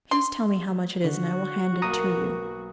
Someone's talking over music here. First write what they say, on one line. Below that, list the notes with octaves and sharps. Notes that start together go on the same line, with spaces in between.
Please tell me how much it is and I will hand it to you.
C6
D3 F#4
B1 A#3 A#5 D#6 D#7